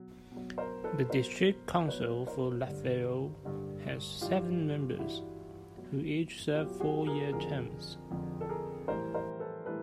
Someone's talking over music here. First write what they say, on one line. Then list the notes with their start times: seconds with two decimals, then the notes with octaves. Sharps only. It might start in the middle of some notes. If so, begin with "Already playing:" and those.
The district council for Lat Phrao has seven members, who each serve four-year terms.
Already playing: B2 F#3
0.32 B2 F#3
0.58 A#4 C5
0.84 A4 B4
1.10 B2 F#3 A#4 C5
1.88 B2 F#3 B4 C#5
2.27 A#4 C5
2.66 G2 D3 G3
3.43 G2 D3 G3
4.21 G2 E3 G3 F4 G4
4.99 G2 E3 G3 E4 F#4
5.77 B2 F#3
6.54 B2 F#3 F4 G4
6.80 F#4 G#4
7.07 G#4 A#4
7.32 F2 D3 F3 G#4 A#4
8.11 F2 D3 F3
8.41 A4
8.49 G#4 A#4
8.88 A2 E3 G3 A#4 C5
9.14 A#4 C5
9.40 A4 B4
9.66 A2 E3 G3 A4 B4